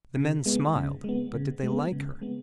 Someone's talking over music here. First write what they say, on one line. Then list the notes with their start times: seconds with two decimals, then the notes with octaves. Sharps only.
The men smiled--but did they like her?
0.17 C#3
0.46 G#3 B3
0.76 C#3
1.04 G#3 B3
1.34 C#3
1.63 G#3 B3
1.92 C#3
2.22 G#3 B3